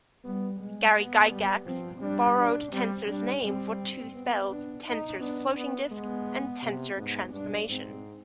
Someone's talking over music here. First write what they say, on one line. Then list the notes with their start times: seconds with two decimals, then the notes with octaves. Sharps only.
Gary Gygax "borrowed" Tenser's name for two spells, "Tenser's floating disc" and "Tenser's transformation".
0.24 G3 B3
0.60 G#3
0.95 B3
1.31 G3
1.66 F3 C4
2.01 G3 D4
2.38 D4
2.72 G3 C4
3.08 G3 D4
3.44 G3 C4
4.14 B3
4.50 D4
4.85 D#4
5.20 B3 D4
5.57 B3
5.91 G#3 B3
6.62 C3
6.98 G#2 B3
7.33 G2 D4
7.69 G#2 C4